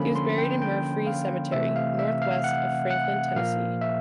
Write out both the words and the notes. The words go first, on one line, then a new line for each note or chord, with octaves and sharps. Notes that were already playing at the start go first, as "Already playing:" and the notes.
He was buried in Murfree Cemetery, northwest of Franklin, Tennessee.
Already playing: D3 F3 A#3 C#4 B5
C6
G5
G5
F5
C3 E3 A3 C4 E5
F5
E5
F5
F#5
F#5
A#2 F3 A#3 F5
E5